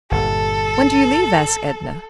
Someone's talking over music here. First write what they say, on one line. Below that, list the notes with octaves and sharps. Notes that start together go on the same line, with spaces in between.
"When do you leave?" asked Edna.
G1 A#2 A4